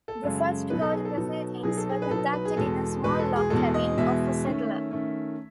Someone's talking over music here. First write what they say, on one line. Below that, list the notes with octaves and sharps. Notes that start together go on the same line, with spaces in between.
The first court proceedings were conducted in a small log cabin of a settler.
A4
F#2 C#3 G#3
B2 F#3 B3 D#4 B4
A4
G#4
A4
B2 F#3 B3 D#4
B2 F#3 B3 D#4 G#4
A4
G#4
B4
B2 F#3 B3 D#4 A4
B4
G#4
E2 B2 G#3 A4
E2 B2 G#3 B4
A4
G#4
E2 B2 G#3 A4
D#5
E2 B2 G#3 E5
D#3 A3 C#4
D#3 A3 C#4